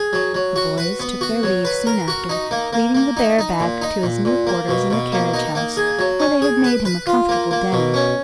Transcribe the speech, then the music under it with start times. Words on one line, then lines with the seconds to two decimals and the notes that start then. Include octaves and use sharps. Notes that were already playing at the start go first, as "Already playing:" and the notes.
The boys took their leave soon after, leading the bear back to his new quarters in the carriage house, where they had made him a comfortable den.
Already playing: G#4
0.13 F#3
0.34 F#3
0.56 F#4
0.78 B4
1.00 B3
1.21 F#4
1.43 F#3
1.65 B4
1.87 A#4
2.08 F#4
2.29 D#4
2.51 A#3
2.73 A#3
2.95 A#3
3.17 D#4
3.39 D#4
3.60 A#2
3.82 D#4
4.03 A#2
4.25 A#2
4.47 A#3
4.68 B2
4.90 B2
5.12 A#3
5.34 D#4
5.55 A#3
5.77 G#4
5.99 F#3
6.20 C#4
6.42 G#4
6.64 B4
6.85 B4
7.07 F4
7.29 A#3
7.51 A#3
7.72 B2
7.94 C#4